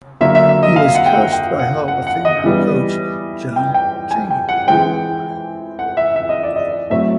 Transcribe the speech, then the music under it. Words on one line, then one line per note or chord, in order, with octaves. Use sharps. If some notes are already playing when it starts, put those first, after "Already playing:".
He was coached by hall of famer coach John Chaney.
D3 F#3 A#3 E5
E5
E5
D#5
F5
F#5
G5
F#5
G5
F#5
F#5
F#5
D#5
E3 G3 B3
G5
G5
G#5
G5
F#5
E3 G#3 C4 G5
F#5
E5
E5
D#5
D5
D#5
A2 F#3 A3 C4 E5